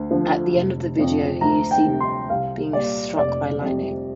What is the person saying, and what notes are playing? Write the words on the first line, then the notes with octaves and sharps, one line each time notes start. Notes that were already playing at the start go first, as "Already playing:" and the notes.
At the end of the video he is seen being struck by lightning.
Already playing: D2
D3 F3
F1
F2 F3
D2 A#5
G5
C3 G3
C6
C2 F5
A#2 G3 D5
F1 D5
F2 C3 G3